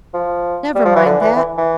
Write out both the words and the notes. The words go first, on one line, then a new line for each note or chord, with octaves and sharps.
'Never mind that.
F3
G3
F3
E3
D3
E3
E3
E3